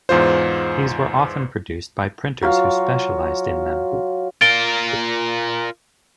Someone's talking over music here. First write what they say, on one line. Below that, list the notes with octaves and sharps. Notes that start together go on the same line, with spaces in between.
These were often produced by printers who specialised in them.
E2 G#2 F4 C5
F#3 F4
F4 A#4 A6 D7 G7